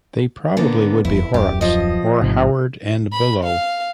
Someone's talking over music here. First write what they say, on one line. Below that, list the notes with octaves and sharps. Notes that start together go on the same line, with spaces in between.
They probably would be Horrocks, or Howard and Bullough.
D3 A#3 B3
E1 F2 E4
D#1 F#2 G4
F3 D#5
A1 G#2 C3
B5
F5